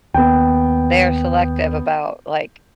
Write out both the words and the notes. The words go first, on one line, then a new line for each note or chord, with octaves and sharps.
they are selective about, like,
D#2 B3 G5